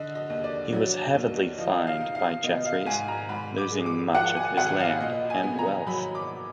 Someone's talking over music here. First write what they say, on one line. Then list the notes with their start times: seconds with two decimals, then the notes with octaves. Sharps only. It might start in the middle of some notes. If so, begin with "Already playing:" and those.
He was heavily fined by Jeffreys, losing much of his land and wealth.
Already playing: D3 D#5
0.15 D#5
0.30 D#2
0.44 D5
0.73 F#3
1.14 D#2
1.58 F3 D#5
1.87 F5
2.00 D#4
2.15 F5
2.43 B3 D#5
2.65 F5
2.86 G#2 G#5
3.08 A#5
3.29 G#2 B5
3.58 D6
3.72 G#3
3.86 D6
4.15 F3 F#5
4.36 G#5
4.57 G#1 F#5
4.80 F5
5.01 A#2 D#5
5.30 G#5
5.43 B3
5.59 A#5
5.87 F#3 B5
6.15 D6